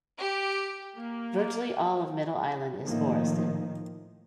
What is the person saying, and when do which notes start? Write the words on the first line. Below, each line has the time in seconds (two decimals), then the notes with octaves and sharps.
Virtually all of Middle Island is forested.
0.19 G4
0.97 A#3
2.85 A2 D#3 F3 A#3